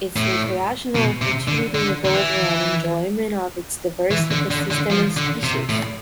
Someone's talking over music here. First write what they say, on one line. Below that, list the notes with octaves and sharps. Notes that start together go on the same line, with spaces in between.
Its recreational opportunities revolve around enjoyment of its diverse ecosystems and species.
A2
B2
C3
D3
D3
D3
E3
E3
D3
D3
D3
F3
D3
C3
A2